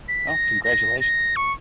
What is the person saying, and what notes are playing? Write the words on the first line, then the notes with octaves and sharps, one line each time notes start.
Oh, congratulations.
B6
A#6
A#6
A#6
C#6